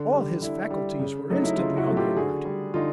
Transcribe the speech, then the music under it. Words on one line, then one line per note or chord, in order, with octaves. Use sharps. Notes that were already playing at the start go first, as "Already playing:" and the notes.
All his faculties were instantly on the alert.
Already playing: D3
G3
D3 E4
G3
C#3
F#3 A3 D#4
E4
C#3 D#4 F4
E4 F#4
F#3 A3
F4 G4
D3 F#4 G#4
G3
D3 D#4 F4